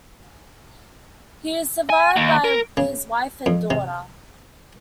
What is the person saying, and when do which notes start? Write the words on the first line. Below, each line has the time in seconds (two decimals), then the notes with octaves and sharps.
He is survived by his wife and daughter.
1.90 G#5
2.16 D#2
2.44 A#4
2.77 C#3
3.46 F2
3.70 C3